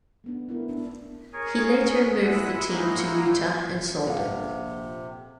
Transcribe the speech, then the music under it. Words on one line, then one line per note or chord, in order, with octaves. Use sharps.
He later moved the team to Utah and sold it.
A3 B3 D4
B3 E4 A#4
B3 D4
G#4 A#4 C#5 G#5
G#3 E4 F#5 B5 D#6 E6
F#3 G#3 A#3 D#4 E4
A#1 C3 A4 F5 F#5